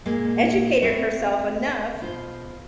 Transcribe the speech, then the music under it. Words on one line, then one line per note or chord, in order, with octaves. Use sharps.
educated herself enough
A#2 G#3 A#3 G#4
C4 B4 C#5 D5 E5
B2 F4 C5